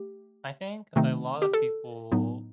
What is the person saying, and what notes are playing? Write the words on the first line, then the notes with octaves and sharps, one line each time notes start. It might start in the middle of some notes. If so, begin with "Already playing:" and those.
I think a lot of people
Already playing: A3 G4
C3 D#3 A3 C4 D#4
G4
A4
A2 F#3 B3 D#4